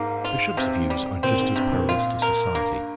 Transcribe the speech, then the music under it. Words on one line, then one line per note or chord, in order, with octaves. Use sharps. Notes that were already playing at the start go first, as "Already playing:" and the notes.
The Bishop's views are just as perilous to society.
Already playing: G#2 A#3
F4
C3
G3
A#2 C4
G#2
G2 C3
A#2
F4
A#4
G2 A#3